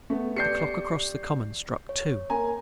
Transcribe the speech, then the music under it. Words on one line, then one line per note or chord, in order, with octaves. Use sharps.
The clock across the common struck two.
A3 B3
G4 D5 G6 C7 C#7
C#5
A#3 G#5 A#5